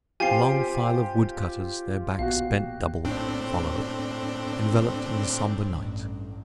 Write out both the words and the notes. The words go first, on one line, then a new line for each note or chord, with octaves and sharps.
A long file of woodcutters, their backs bent double, followed, enveloped in the somber night.
F3 C4 F4 G4 G#5 C7
A#1 B2 F#4 F5
A2 C4 D4
A1 G2